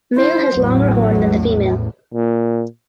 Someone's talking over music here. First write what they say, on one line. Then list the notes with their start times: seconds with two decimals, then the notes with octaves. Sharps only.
Male has longer horn than the female.
0.16 E4 C5
0.54 A1 E2 A2 F#3
2.14 A#2